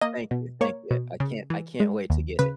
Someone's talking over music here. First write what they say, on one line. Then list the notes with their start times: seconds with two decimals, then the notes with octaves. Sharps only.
Thank you, thank you, I can't I can't wait to get it.
0.02 A#3 D#5
0.31 B2
0.61 A#3 C#5
0.91 B2
1.20 C#3
1.50 E3
1.80 G#3
2.10 D#2
2.39 C#3 B4